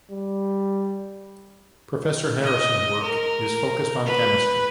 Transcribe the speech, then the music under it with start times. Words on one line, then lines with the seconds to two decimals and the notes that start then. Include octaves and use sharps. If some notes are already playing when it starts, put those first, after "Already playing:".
Professor Harrison work is focused on chemistry.
0.10 G3
2.43 D#5
3.03 A#4
4.06 B4